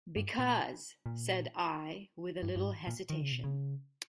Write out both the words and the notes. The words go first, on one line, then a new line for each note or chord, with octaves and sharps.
"Because — " said I with a little hesitation.
G2
A#2
A#2
G2
G2
G#2
A#2
D#3
C#3
B2
C#3